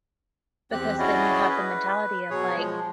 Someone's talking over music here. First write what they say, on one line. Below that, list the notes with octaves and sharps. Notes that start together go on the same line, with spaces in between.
because then you have the mentality of like,
E2 C4 G4 F#6
C#4 E4 F#4 G#4 D5 D#5
B4
B2 F#3 G#4 C#5
F3 G#3